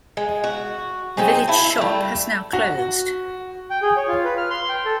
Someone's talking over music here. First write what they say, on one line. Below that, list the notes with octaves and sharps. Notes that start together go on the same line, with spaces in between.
The village shop has now closed.
G#3
F#4
F#3 C4 D#4 G#4
E4 A5
G3 A3
F#4
G5
G#4
C#5
F4
B4
F6
C6
G5
A4